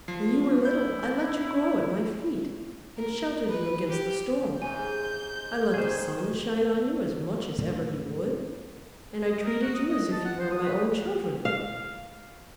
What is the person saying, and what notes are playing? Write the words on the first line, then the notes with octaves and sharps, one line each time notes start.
When you were little I let you grow at my feet, and sheltered you against the storm, I let the sun shine on you as much as ever he would, and I treated you as if you were my own children.
F3 C7
E4 G6
A#4
B4
G4
G#2 C3 G#5 G6
B2 D#3 G#4 C5
G#2 C#3 A3 D4
D#5
A#4
F#4
D#6
D#5
A5
F#5
C5
D#6
B4
F5